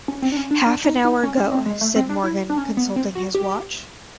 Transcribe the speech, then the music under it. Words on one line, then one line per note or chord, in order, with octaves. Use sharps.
"Half an hour ago," said Morgan, consulting his watch.
C#4
C4
D4
C#4
D4
D4
D#4
D#4
C#4
C#4
C4
G#3
A3
C4
D4
E4
D4
C#4
B3
C4
F#4
G4